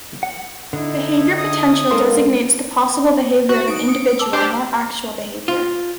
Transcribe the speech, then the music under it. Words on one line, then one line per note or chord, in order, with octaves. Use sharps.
Behavior potential designates the possible behavior of an individual, not actual behavior.
F#5
D3 D#4 E4
D#6
G#3 D#4 A4 A#4 F5 C6
F#4 C5 C#6
D#4 D#6 D7
D#6 C#7
A5 D6 E6
D4 G4 C5
F4